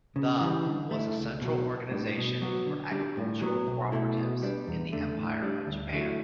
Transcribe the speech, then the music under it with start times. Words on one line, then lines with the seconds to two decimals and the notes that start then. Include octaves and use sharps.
The was a central organization for agricultural cooperatives in the Empire of Japan.
0.16 C#3
0.41 E3 G3
0.66 D3
0.91 A3 E4
1.16 C#2
1.41 B2 F#3
1.66 B1
1.91 A2 G3 D4
2.17 B2
2.42 F#3 B3 F#4
2.66 D3
2.92 G3 D4
3.17 A2
3.42 F#3 B3
3.67 B1
3.92 B2 A3 E4
4.17 B2
4.42 G3 B3 D4
4.67 E2
4.92 D3 A3
5.17 A2
5.42 G3 D4
5.67 D2
5.93 D3 F#3 A3 E4